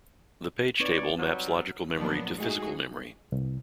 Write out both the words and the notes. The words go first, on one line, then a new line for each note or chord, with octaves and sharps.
The page table maps logical memory to physical memory.
C4 D#4 B4 C#5 D5
F#3 G3
A#2 F3 F#3 A#3 B3 D4
G#3 A3 D#4 F#4 G#4
C2